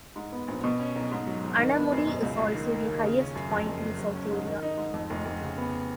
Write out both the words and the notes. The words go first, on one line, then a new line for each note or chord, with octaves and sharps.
Anamudi is also the highest point in South India.
G#2
B3
A#1
B2
C#4
B1
G#2
F#3
G#1
D#3
B3
F#2
B2
C#2
C#2
D#3
A#3
D#2
C#3
C#4
F#2
F2
F#1
F#1
F#3
C#4
G#2
D#3
D#4
G#2
F2
F1
F1
C#3
B3